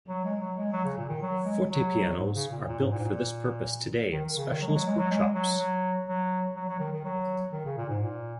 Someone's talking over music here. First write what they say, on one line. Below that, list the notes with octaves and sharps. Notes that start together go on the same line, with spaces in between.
Fortepianos are built for this purpose today in specialist workshops.
F#3
G#3
F#3
G#3
F#3
C#3
A#2
D#3
F#3
G#3
F#3
G#2
C#3
A#2
A#2
G#2
A#2
G#2
A#2
D#3
D#3
C#3
D#3
F#3
G#3
F#3
G#3
F#3
G#3
F#3
F#3
F#3
F#3
F#3
D#3
D#3
F#3
D#3
C#3
A#2
G#2
A#2